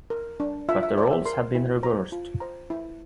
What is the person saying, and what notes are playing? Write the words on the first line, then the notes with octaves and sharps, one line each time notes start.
But the roles had been reversed.
A#4
D4
F4 E5
E5
C5 D5
E5
A#4 C6
E4
C5 A#5
F4
C5 A#5
E4